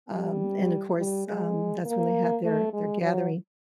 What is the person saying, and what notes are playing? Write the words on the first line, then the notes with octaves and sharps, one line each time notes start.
um, and of course, um, that's when they had their their gathering,
G3
G3
G#3
A#3
A3
G#3
F#3